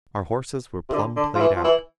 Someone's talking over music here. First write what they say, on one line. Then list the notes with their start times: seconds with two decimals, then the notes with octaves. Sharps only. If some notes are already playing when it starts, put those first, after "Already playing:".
Our horses were plumb played out.
0.89 C3
0.93 D3
1.17 D3
1.35 F3
1.40 E3
1.56 F3
1.64 E3